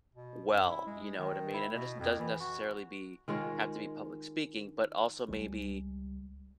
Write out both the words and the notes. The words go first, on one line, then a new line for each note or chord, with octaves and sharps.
well, you know what I mean, and it doesn't doesn't necessarily be have to be public speaking, but also maybe,
B2
F#2
E4
G#3
D#3
E4
B2
F2
E3
F#4
D#3 G#3 F4 C#5
C#2 G3 G#3